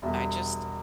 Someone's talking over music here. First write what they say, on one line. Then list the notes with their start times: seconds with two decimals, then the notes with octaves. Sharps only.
I just
0.02 E1 E2 B2 G3 E5